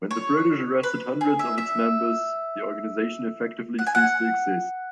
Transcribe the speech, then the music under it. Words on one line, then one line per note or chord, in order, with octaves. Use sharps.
When the British arrested hundreds of its members the organization effectively ceased to exist.
C#5
B4
G#4
E5
E5
F#5
G#5
F#5